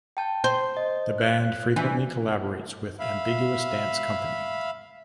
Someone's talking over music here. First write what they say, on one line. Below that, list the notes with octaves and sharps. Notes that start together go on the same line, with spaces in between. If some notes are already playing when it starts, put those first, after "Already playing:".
The band frequently collaborates with Ambiguous Dance Company.
G5 A5 G6
C5
D#5
F#6
E3 D4
E5 F5 B5